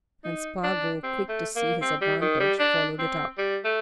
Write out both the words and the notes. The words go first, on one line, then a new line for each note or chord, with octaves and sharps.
And Spargo, quick to see his advantage, followed it up.
D#4
D4
C4
A3
A#3
C4
G3
D#3
G3
D4
C4
G3
A3